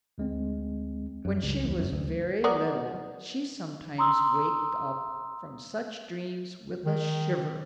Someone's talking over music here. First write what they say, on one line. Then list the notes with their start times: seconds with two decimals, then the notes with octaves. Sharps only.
When she was very little she sometimes waked up from such dreams with a shiver.
0.18 D2 G#3 C4
1.25 F#2
1.43 C#2
1.64 E2
1.79 F#2
1.92 D2
2.44 B3 A#4 D5
3.98 A#5 C6 D#6 E6
6.86 D#3